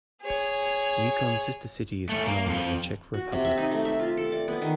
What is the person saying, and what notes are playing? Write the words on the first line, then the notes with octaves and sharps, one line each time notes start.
Yukon's sister city is Krnov in the Czech Republic.
G#4 C#5
A3 C#4
A#3
F2 F3
F#4
C3
E5
D#4
A3
E5
F4
A4
D5
B3
D#3